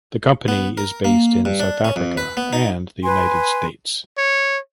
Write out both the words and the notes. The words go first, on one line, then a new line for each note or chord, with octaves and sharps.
The company is based in South Africa and the United States.
B3
A#4
A#3
G2
D4
C#4
F2
B4
B3
D#4
B4 G#5 C6
C#5